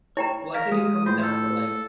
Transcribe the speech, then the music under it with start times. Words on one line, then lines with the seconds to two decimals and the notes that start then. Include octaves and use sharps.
Well, I think it comes down to, like,
0.17 E4 C#5 G5 A#5
0.54 A#4 F5
0.72 G#3 D#6
1.06 A2 F4 C5
1.23 A4